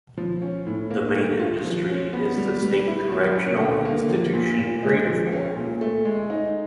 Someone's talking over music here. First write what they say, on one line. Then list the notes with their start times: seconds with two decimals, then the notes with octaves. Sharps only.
The main industry is the State Correctional Institution - Graterford.
0.17 F3
0.42 C#4
0.67 A2
0.91 A#3
1.15 A3
1.40 F4
1.65 F3
1.89 C#4
2.13 B3
2.38 G3
2.63 G3
2.87 E4
3.12 F#3
3.36 C#4
3.60 D3
3.85 A#3
4.10 F3
4.33 A#2
4.59 A#2
4.83 G#3
5.07 F3
5.32 C#4
5.57 A#2
5.81 A3
6.05 G#3
6.30 D#4